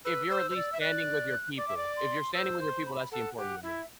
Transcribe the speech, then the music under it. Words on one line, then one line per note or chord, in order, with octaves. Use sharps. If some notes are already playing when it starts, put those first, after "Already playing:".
if you're at least standing with your people, if you're standing with your people, that's important to me,
B4 E6
C5
C5
D5
E5
D5 F#6
D5 D6
E5
D5
C6
C5 E6
C6
B5
A4 F#5
G4 F#5
E4 E5